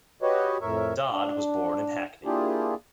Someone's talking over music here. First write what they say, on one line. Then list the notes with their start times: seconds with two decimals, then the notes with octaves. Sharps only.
Dodd was born in Hackney.
0.22 F#4 G4 B4 C#5 D#5
0.61 F2 A2 A#4 C#5 E5
1.12 D4
2.25 A#3 D4 E4 F4 G4 G#4